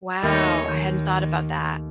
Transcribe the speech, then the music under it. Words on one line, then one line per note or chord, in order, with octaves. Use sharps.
Wow, I hadn't thought about that.
D#2 A3 D#4 C#5
D#3 G6